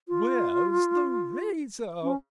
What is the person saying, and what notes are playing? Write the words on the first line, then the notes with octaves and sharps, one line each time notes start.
"Where's the razor?"
F4
C#4